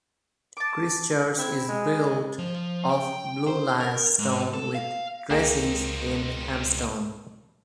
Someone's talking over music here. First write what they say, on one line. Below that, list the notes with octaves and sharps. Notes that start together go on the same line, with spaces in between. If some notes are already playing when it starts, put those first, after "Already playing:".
Christ Church is built of Blue Lias stone with dressings in Hamstone.
A5 D6
C4 E4 E5 B5
G#3
F3
G5
C5
A#4
G#2
A4
F5
C#2 A#3 C4 D#4 G#4 G5